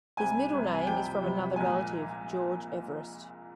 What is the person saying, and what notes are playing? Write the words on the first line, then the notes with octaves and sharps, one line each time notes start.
His middle name is from another relative, George Everest.
C2 C3 G3 G#5
C2 C3 G3
G#5
F2 C3 G3 G5
F2 C3 G3
A#1 A#2 G#3 G#5